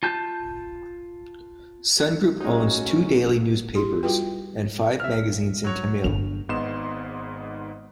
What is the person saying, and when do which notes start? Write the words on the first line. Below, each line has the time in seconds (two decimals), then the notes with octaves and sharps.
Sun Group owns two daily newspapers and five magazines in Tamil.
0.03 F4 A5 G6
2.41 F#3 G#3 A3 C#4 D#4 F#4
3.74 E4 G4 G#4 C6
4.03 G3 F4 F#4 G#4 B4 G5
5.00 E5 F6
5.64 F#3 C#5
6.04 G1 D4 F7
6.49 G#1 G#2 B3 D#5 C6 E7